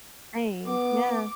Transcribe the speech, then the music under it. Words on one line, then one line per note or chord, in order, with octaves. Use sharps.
Dang! Yeah.
B3 D6